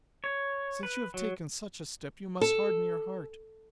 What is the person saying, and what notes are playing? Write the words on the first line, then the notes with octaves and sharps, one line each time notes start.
Since you have taken such a step, you must harden your heart.
C#5
B4
F#3
A4